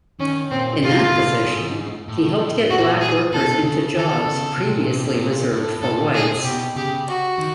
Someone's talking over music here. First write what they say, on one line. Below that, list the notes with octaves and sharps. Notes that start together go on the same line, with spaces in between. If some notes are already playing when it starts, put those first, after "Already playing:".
In that position, he helped get black workers into jobs previously reserved for whites.
D#3 C#4
A#2 C4
A2 F4
A2
G#2
A2
A#2 F#4
G#4
B2 A4
C#3
D#3 A4
C#3
C3
A#2
A#2
C3
B2
A2
A#2
A2
A#2 A4
G#4
C3
B2 G4
C#3 G4
F#4
D#3